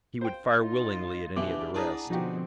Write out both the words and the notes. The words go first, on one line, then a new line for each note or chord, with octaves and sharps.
He would fire willingly at any of the rest.
C5 G5
D#4 F4
G2 B2 E3 D4 D6
B3 E4 G#4 D5 A5 A#5
B2 D3 F3 C4 D#4 F#4 G4